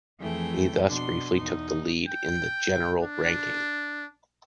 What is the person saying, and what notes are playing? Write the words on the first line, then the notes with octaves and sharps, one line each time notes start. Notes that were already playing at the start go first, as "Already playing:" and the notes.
He thus briefly took the lead in the general ranking.
F2 E3 A3 G#4 G5
B2 D4 C6
E2 D#4
G5
D4